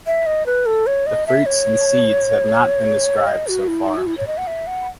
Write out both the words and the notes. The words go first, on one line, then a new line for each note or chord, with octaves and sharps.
The fruits and seeds have not been described so far.
E5
D#5
B4
A4
C#5
D#5
E5
C#5
D#5
F#4
E4
D#4
F#4
E4
C#5
D#5
F#5
E5
F#5